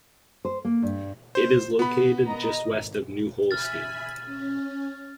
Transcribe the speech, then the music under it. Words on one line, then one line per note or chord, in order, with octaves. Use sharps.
It is located just west of New Holstein.
C5
A#3
G2
C5
B3 B5
A#4 D#5 A#5
G#1
E5 G#5 B5 F6 A6
C#4